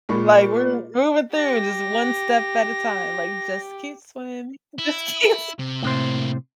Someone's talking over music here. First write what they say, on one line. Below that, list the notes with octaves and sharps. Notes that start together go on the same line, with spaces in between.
Like, "We're moving through just one step at a time." Like, "Just keep swimming. Just keep
A#2 G#3 B5 C#6
G4 A#6
E4
C3
A2 C3 A#3 C4 C5